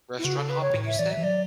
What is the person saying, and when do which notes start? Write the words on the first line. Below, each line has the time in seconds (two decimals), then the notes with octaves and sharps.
Restaurant hopping, you said?
0.18 E4
0.24 C#3 F#4
0.37 A4
0.49 B4
0.61 C#5
0.74 A2
0.86 E5
0.99 E3 D5
1.11 E5
1.18 E3
1.23 F#3 D5